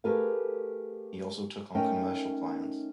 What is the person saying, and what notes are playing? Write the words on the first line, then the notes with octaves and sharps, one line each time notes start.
He also took on commercial clients.
A3 G4 G#4 A#4 B4 F5
A3 C#4 D#4 A#4 G5